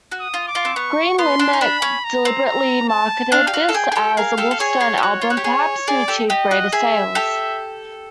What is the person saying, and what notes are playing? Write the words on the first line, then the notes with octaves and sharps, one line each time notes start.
Green Linnet deliberately marketed this as a Wolfstone album, perhaps to achieve greater sales.
F#4
D#6
F4
D6
F4
C4
B3 C#6
B3 C6
D4
D#4
D4 B5
C#4
A#5
C4
A#5
A5
D4 F5
G4
F#4
A4
G#4 G5
G#4
G4 A4
G#4 A#4 F5
G4 A4
A4
G#4 C#5
G#4
G4
F#4 C#5
F4
F#4
G4
G#4
G#4 D5
G4 A4
G4 D#5
F#4
G#4 E5
G4 A4